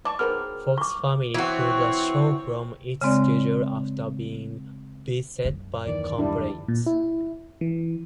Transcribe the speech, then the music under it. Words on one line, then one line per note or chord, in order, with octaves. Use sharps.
Fox Family pulled the show from its schedule after being beset by complaints.
D5 A5 C#6 D6
D#3 F#3 B3 G#4 A#4 C5 F6
C#6 D6
E3 C4 F#4 C#5
C#3 G#3 C4 D5
F#2
D#2 D#3 E3 D5
G3 D4 E4
A#2
E4
E3